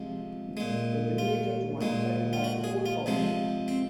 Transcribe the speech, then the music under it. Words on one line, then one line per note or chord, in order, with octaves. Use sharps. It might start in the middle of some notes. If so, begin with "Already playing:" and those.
The village at one time had four pubs.
Already playing: C3 F3 G#3
A#2 G#3
F4
A#2 G#3
F4
F#4
G#4
F4
C3 F3 G#3
C4